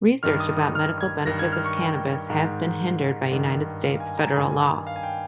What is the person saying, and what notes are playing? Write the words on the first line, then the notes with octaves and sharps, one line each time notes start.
Research about medical benefits of cannabis has been hindered by United States federal law.
G2 D#3 F6
D#6
D#6
F6
G#6
G2 D#3 A#6
G#6
F6
C#6
G5
G#2 D#3
G2 D#3
F5
G#5
A#5
G2 D#3 G#5
F5
G#5
G5